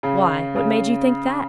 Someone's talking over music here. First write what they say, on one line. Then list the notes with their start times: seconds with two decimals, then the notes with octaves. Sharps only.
Why, what made you think that.
0.03 C#3
0.56 C#3